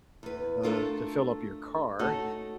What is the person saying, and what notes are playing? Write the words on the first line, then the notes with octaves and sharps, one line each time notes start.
uh, to fill up your car,
E2 B4
A3 D4 F4 A4 A#4
A3 C#4 D#4 F#4 A4